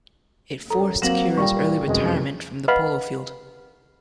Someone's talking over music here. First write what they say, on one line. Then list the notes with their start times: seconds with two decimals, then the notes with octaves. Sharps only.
It forced Cura's early retirement from the polo field.
0.70 F#2 A4 A#5
1.02 F#3 A#3 C4 A#6 E7 F#7
1.38 A#2 G3 G5 C#6
1.87 F1 F#2 G#3
2.68 B4 D#5 F5 F#5 B5 C6